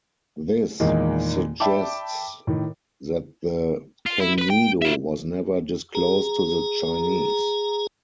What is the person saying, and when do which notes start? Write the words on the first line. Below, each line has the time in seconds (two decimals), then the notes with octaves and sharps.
This suggests that the Kangnido was never disclosed to the Chinese.
0.80 E2 A#2 D#3 G#3 A#3 D#4
1.60 D5 E5 G5 A5 B5 D6
2.47 A2 D#3
4.06 F4
4.20 E4
4.38 B4 B5
4.50 G5
4.82 F4 E5
5.95 G#4 A#5